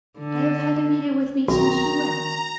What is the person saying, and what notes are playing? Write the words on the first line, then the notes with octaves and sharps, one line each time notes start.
"I have had him here with me since you went."
D3
B1 D#3 F#4 A#5